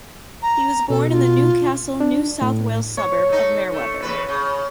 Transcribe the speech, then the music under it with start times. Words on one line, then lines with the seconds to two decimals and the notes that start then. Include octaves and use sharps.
He was born in the Newcastle, New South Wales suburb of Merewether.
0.42 A#5
0.90 B2 A4
1.10 F4
2.00 D4
2.42 A2
2.97 C#5
3.29 A3 D#4
3.73 A3
4.02 E2 C#3 B4
4.28 C#3